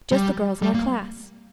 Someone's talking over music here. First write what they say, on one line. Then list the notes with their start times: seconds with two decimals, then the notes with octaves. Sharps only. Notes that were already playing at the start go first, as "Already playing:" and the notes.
"Just the girls in our class."
0.12 G3
0.62 G3
0.74 A#3